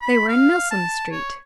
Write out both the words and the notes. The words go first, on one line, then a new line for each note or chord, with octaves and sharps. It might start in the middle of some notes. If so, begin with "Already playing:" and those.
They were in Milsom Street.
B5
F5
A5
C#5